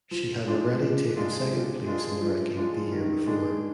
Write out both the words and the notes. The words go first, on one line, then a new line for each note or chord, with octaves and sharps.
She had already taken second place in the ranking the year before.
F3
G#3 D4 F4
F3
G#3 D4 F4
F3
G#3 D4 F4
F3
G#3 D4 F4
D#3
G#3 D4